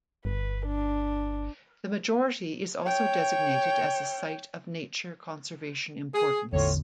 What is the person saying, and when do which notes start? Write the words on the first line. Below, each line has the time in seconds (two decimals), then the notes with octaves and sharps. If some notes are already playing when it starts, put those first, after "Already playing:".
The majority is also designated as a Site of Nature Conservation Importance.
0.25 G1 B4
0.67 D4
2.83 C#5 G5
6.15 G#4
6.52 A1 E2 A2 D3 F4 C#5